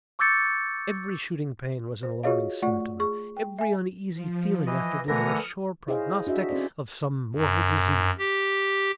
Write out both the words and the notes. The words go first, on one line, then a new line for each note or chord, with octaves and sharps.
Every shooting pain was an alarming symptom,--every uneasy feeling after dinner a sure prognostic of some mortal disease.
C#6 D6 E6 G6 A6 C#7
C5
F4 F#4 G#4 C#5 D#5 F5
A3 F4 D5 F#5 C#6
G#4 C#6
G5
E5 G#5
F3
E3 D#5
D3 E3 A3 A#4 D#6 F6 A#6 C#7
E4 G#4 C5 C#5 D#5 F5
D4 F#4 D#5 E5
C4 C#4 A4 C5 D5
F#2
G4